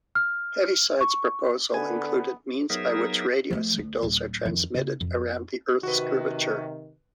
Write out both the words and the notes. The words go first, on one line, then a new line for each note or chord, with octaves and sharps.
Heaviside's proposal included means by which radio signals are transmitted around the Earth's curvature.
F6
C#6
D3 B3 G#5
F#3 B3 D#4 G#4 A#4 E5
F3 A3
D2
D1
F2 D#3
C#3
F2
C3 D#3 F#4 B4